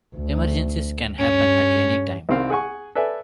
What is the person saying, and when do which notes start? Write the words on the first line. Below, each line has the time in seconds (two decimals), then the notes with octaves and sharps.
Emergencies can happen at any time.
0.16 D2
1.18 G2 C#4
2.29 C2 D#3 C4 F5
2.50 G#4 F#5 G#5 C#6
2.95 A4 B4 D5 E5 G#5